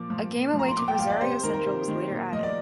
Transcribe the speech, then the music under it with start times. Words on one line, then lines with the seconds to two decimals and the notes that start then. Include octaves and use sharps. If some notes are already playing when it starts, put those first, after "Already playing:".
A game away to Rosario Central was later added.
Already playing: A#2 F3 D6
0.10 F3
0.32 A#2
0.54 F3
0.59 A#5
0.68 C6
0.77 A#2 D6
0.88 G5
0.99 F3 F5
1.10 D5
1.21 C3 C5
1.32 C5
1.43 D#3 A#4
1.54 A#4
1.66 C3
1.88 D#3
2.10 A#2
2.32 F3 D#5
2.43 D5